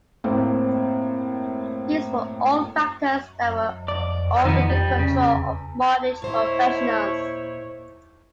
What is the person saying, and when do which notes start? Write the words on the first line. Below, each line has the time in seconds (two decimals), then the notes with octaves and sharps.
These were all factors that were under the control of mortgage professionals.
0.24 A2 A#3 C4
3.88 D5
4.45 D#3 F3 B3
4.70 G3
4.99 C#3
6.22 A#2 E4 C5 C#5 D#5